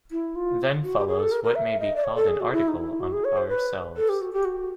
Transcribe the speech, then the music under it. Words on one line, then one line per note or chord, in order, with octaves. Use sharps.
Then follows what may be called an article on "Ourselves".
E4
F4
F#4
G4
G#4
A4
A#4
A#4
E5
D#5
D5
C#5
A4
G#4
F#4
E4
D#4
E4
F#4
G#4
C#5
C5
B4
A4
G4
F#4
G4
F#4